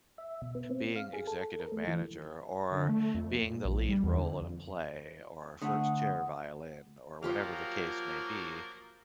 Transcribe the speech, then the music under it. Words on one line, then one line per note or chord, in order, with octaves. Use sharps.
being executive manager or being the lead role in a play or first chair violin or whatever the case may be.
E5
B2
B3
C4
F5
G#4
A4
A#4
A3
E3
D3
A3
F2
A#2
A#1
G3
E2
D3
F2
D3 A3 F#5 D#6
F3 F#3 A#3 F4 G4 F5